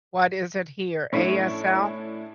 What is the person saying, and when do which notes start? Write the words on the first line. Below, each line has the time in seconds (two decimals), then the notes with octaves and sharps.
What is it here? ASL?
1.13 A2 C#4 D4 E4